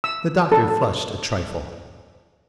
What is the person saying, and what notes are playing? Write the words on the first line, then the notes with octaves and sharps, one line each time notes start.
The Doctor flushed a trifle.
E6
A4